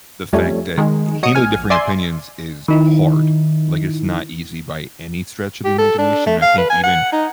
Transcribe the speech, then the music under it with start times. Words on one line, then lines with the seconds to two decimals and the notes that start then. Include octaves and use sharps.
the fact that handling differing opinions is hard. Like it's not easy by any stretch of the imagination. I think even
0.33 F2 G3 A3 C#4
0.77 D#3 G#3
1.23 F#3 D#5 D#6 C#7
1.35 A#1 G#5 F6
1.70 D5 E5 G#5 C6
2.68 D#3 D#4 E4
5.65 G4
5.78 A4
5.98 D4
6.26 A3
6.42 F5
6.58 B4
6.70 G#5
6.83 F#5
7.12 D#4